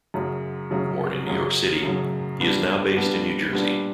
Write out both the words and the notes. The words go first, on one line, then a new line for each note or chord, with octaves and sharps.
Born in New York City, he is now based in New Jersey.
F#2 C#3 F#3
F#2 C#3 F#3
F#2 C#3 F#3
F#2 C#3 F#3
A#2 G3 B3 D4
A#2 G3 B3 D4
A#2 G3 B3 D4